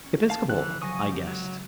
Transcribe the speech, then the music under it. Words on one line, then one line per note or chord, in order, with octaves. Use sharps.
"Episcopal?" I guessed.
C#4
F5 A5
D3 E3 F3 A4 F#6
C#3 F#3 G#5 C#6 D#6 A#6
G4
F#3 G#3